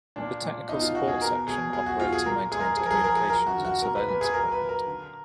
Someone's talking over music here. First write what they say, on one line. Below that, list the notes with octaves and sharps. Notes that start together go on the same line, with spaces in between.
The Technical Support section operates and maintains communications and surveillance equipment.
A#2 D4
A#2
B2 D#4
F4
B2 F#4
G#4
B2 A#4
B2 G#4
F#3 G#4
F#4
F#3 F4
G#4
A#2 A#4
G#3 G#4
A#4
F3 G#4
A#4
G#4
F3 A#4
G#4
F#3 A#4
F#4
D3
F#4
A#2 A#4
B4
A#2 B4
G#4
F#3 A#4
B4
F#3
A#4
D3